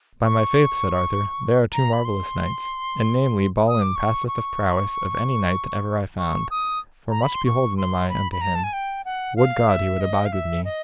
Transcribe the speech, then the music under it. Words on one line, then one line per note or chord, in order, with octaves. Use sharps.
By my faith, said Arthur, they are two marvellous knights, and namely Balin passeth of prowess of any knight that ever I found, for much beholden am I unto him; would God he would abide with me.
C#6
A#5
B5
C6
D#6
D6
C#6
C#6
C#6
D#6
A#5
B5
C6
C#6
C6
B5
B5
A#5
A5
G#5
G5
F#5
F5
E5
D#5
F5
E5
D#5